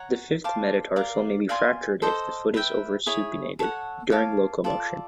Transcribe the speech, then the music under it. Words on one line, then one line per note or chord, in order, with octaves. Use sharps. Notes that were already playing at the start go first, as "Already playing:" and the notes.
The fifth metatarsal may be fractured if the foot is oversupinated during locomotion.
Already playing: C#5 F#5 A#5
C5 F5 A5 D6
A#4 D5 F5 A#5
D5 F5 G#5 C6
A4 C5 D#5
B4 E5 G5
E4 G#4 C#5
A4 C#5 F#5
C#5 F5 A5 D6
F4 A4 D5